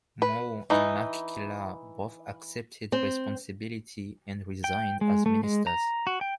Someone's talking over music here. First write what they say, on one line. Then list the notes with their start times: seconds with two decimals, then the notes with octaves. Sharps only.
Moore and MacKellar both accepted responsibility and resigned as Ministers.
0.22 B4
0.70 E3 D#4
2.92 C4
4.64 G5
5.01 G#3
5.26 A3
5.44 G#3
5.67 A#5
6.07 F#4
6.21 G5